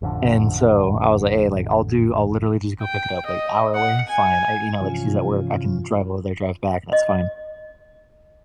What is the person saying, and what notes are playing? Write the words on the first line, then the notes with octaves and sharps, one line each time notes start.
and so, I was like, "Hey, like, I'll do I'll literally just go pick it up, like, hour away? Fine." I you know, like, she's at work. I can drive over there, drive back, that's fine.
A1 F2 D3
G5
D#5
F#5
G#5
G2 C3 E3 F3 C#4 F4
D#5